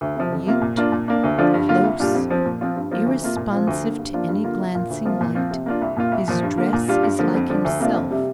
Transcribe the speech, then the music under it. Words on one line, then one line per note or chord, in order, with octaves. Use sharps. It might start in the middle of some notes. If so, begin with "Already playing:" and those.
Mute, close, irresponsive to any glancing light, his dress is like himself.
D2
C3 F3
F2
C3 A#3 F4
A#2
A#3 D4 F4
A#2
A#3 D4
D2
D3 F3 D4 F4
G2
D3 A#3 F4
C2
A#2 G3 D4 F4
F2
F3 C4
A#2
F3 C4 F4
G2
F3 A#3 F4
D2
C3 A#3 F4
A#2
F3 C4 F4
D2
D3 A#3
G2
F3 A#3 D4 F4
G2
D3 A#3 F4
C2
A#2 A#3 F4
D2
C3 F3 A#3 F4
A#2
F3 C4 F4
C3
A#3 D4 F4
C2
A#2 A#3 F4
C2
A#2 F3
G2
D3 A#3
A#2
G3 D4 F4
G2
D3 F3 A#3
F2
D3 F3 D4
D2
C3 A#3 D4 F4
F2
C3 G3